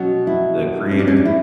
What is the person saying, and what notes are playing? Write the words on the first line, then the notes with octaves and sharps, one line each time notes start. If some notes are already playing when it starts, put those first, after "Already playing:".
the creator?
Already playing: B2 F#3 C#4
E4
C#4
D4
C#4
D4
E4